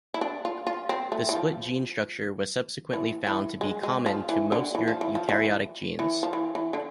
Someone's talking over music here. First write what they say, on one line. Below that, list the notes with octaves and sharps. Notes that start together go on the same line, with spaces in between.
The split gene structure was subsequently found to be common to most eukaryotic genes.
E4
D4
F4
F4
C4
A3
E3
F3
E3
E3
G#3
G#3
F3
E3
D3
E3
F3
E3
F3
E3
E3
F3
E3
E3
D3